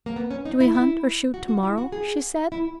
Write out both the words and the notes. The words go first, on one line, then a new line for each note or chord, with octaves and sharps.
"Do we hunt or shoot to-morrow?" she said.
A#3
B3
C#4
D#4
E4
E4
F#4
F#4
E4
F#4
G#4
E4